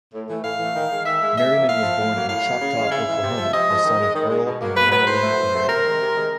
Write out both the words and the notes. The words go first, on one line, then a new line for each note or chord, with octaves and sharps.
Merriman was born in Choctaw, Oklahoma, the son of Earl and Nonalyn Merriman.
A2
E3 A3
A2 F5
E3 A3
D#3
G#3
D#3 E5
G#3
A2 E5
F3 A#3
A2 F5
F3 A#3
A2
F#3 A#3
A2 F5
F#3 A#3
C#3
E3 G#3
C#3 E5
E3 G#3
C3
F3 G#3
C3 D#5
F3 G#3
D#3
G#3
D#3
G#3
B2
F#3 A#3
B2 B4
F#3 A#3 B4
A2 C5
F#3 A3
A2
F#3 A3
C3 A#4
D#3 G#3
C3
D#3 G#3